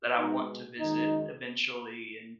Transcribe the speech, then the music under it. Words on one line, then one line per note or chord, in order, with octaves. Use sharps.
that I want to visit eventually and,
B2 G#3 D#4
F#2 D#3 G#3 D#4